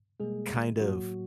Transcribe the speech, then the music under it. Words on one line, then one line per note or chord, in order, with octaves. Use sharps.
kind of
B2 G3 G#3 A#3 G#4
D#3 G#3
A2 F#3 A#3 F#4